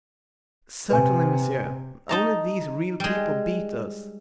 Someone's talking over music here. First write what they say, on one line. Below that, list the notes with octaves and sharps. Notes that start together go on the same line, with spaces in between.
"Certainly, monsieur; only these real people beat us."
C3 B4 G#5
D#4 A5 A#5
G3 G#3